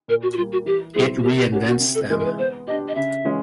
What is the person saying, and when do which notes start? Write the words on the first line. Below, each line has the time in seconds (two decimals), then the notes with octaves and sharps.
It reinvents them.
0.08 A#2 A#4
0.23 F#4
0.33 F#4
0.37 G3 A#3 F4
0.52 F#4
0.66 E3 G4
0.94 G3 C4 E4 G#4
1.18 F#4
1.23 A#3 G4
1.38 G4
1.52 C#4 F#4 G4 A#4
1.67 F#4
1.80 C3
1.95 A4
2.10 E3 G#3 A#4
2.20 A#4
2.25 B4
2.38 B3 C5
2.67 D4 G4 D#5
2.88 D#5
2.95 C#3 E5
3.25 E3 G#3 C#4 F4